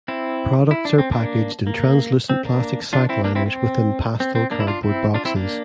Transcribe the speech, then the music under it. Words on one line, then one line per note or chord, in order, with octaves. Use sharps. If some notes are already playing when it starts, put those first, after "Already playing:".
Products are packaged in translucent plastic sack liners within pastel cardboard boxes.
C4 E4
E4
D4
C4
A#3 D4
A#3
C4
A#3 D4
D4 F4
C4 E4
A#3 D4
C4 E4
C4
C4
C4
A#3 D4
E4
D4 F4
C4 E4
D4 F4
C4 E4
A#3 D4